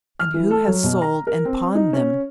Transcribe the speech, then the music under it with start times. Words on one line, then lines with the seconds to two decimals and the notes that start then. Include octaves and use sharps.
"And who has sold and pawned them?"
0.19 F6
0.34 E3
0.51 A4
0.68 F#3
0.84 B2
1.02 A#5
1.27 A#4
1.45 C4
1.75 D#4
1.93 C#4